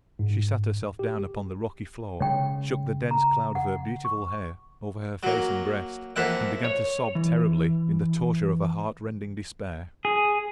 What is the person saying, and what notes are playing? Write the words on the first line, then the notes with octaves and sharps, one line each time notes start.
She sat herself down upon the rocky floor, shook the dense cloud of her beautiful hair over her face and breast, and began to sob terribly in the torture of a heartrending despair.
G#2
G4
C#3 G#3 C#5 G5
A#5
F#5
C#6
F#3 A#3
F2 A#3 E5 F#5
C#5
E3
G#4